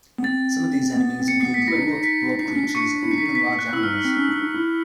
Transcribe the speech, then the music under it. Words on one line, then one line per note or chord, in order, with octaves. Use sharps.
Some of these enemies include robots, blob creatures, and even large animals.
B3
C4 A6
B3
C4
C#7
B3 C7
B6
E4 A#6
D#4
D4
D#4
B6
D#4 C7
D4
C#4
D4
C#6 C#7
E4
D#4 C7
B6
C7
B6
F#6
E4 E6
D#4 F6
C4
C#4
D4
D#4
E4